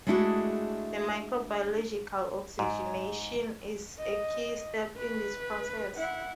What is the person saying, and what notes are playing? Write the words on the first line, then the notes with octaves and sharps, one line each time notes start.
The microbiological oxygenation is a key step in this process.
G#3 A3 D4 E4 F#4 G#4
G#2
D#5
B4
E4 F#5